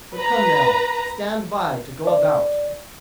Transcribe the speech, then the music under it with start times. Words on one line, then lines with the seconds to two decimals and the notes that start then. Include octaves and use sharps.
But come now, stand by to go about.
0.17 B4 A#5
2.07 D5